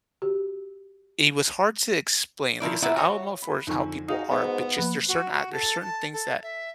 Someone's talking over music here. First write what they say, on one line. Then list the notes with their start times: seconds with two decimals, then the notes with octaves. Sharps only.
it was hard to explain. Like I said, I don't know for s how people are, but just there's certain a there's certain things that
0.22 F#4 G4
2.60 D#3 F3 E4 D5
2.82 A#2 B3 E4 D5 E5 F#5
2.97 F#4 C#5
3.42 B5
3.67 F2 D3 D#4 G#5 C#6
4.08 D#4 F#4 G#4 F5 D#6
4.31 G#2 B3
4.77 F3 A#3 B4
5.08 F#4
5.33 F#4
5.52 A4
5.82 A5
6.13 A4
6.43 E5